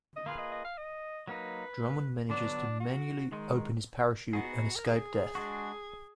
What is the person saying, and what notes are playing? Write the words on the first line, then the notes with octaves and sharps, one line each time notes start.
Drummond manages to manually open his parachute and escape death.
D#5
A#3 F4 G#4 B4 F5
D#5
D#5
F5
D#5
F#3 A#3 D#4 B4
D3 F#3 B3 D4
F#4
D#3 G#3 D#4
B3 D#4 F#4 G#4
A#4
G#4
G#3 D4 F#4